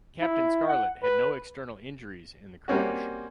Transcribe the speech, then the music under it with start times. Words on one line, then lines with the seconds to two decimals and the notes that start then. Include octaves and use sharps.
Captain Scarlet had no external injuries in the crash.
0.21 E4
0.67 F#5
1.03 B4
2.68 G3 A#3 C4 C#4 F#4